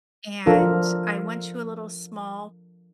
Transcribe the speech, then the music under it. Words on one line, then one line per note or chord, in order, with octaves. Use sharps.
and I went to a little small
F3 D4 F4 A4 A#4